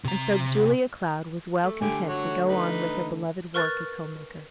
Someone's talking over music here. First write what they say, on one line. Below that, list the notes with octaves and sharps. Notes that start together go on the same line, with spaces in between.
And so Julia Cloud was well content to go on with her beloved work as home-maker.
C3 A#5
A3
D3 G3 A3 G4 G#5
F#4 C#5
D#4 B4
A#4 B4 C#6 F6 F#6 A6